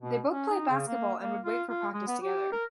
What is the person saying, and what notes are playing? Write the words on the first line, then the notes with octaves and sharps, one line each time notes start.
They both played basketball and would wait for practice together.
B2
C#4
D#4
C#3
A#3
A#3
F4
F4
G#3
B3
G4
A#4